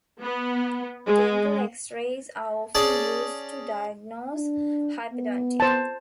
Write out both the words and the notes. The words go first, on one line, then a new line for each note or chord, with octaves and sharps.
Dental X-rays are often used to diagnose hyperdontia.
B3
G#3
C#4 G#4 D5 A5
D4
B3
C5 A5